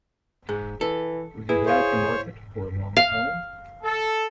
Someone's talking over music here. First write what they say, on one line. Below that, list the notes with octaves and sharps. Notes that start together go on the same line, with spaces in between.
Were you there at the market for a long time?
G#2 G#4
E3 A4
E4 G#4 B4
C5 C#5 E5 F5
F5
A4